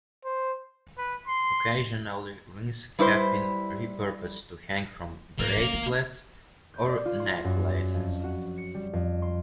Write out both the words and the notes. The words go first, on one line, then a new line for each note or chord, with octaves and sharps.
Occasionally rings have been re-purposed to hang from bracelets or necklaces.
C5
B4
C6
G3 E4 B4 C5
G#2 A#3
C#2 D3
F4
G6
D5
F4
C6
F#2
F2
F#4
C#7
G3
F2
C6